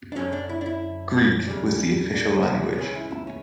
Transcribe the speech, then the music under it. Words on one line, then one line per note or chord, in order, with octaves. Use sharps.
Greek was the official language.
D4
F#2 D3 F#3 C#4
D4
E4
D4
E4
E2 C#3 G3
D4
C#4
D4
B3
C#2 C#3 E3 C#4
E4
E4
C#4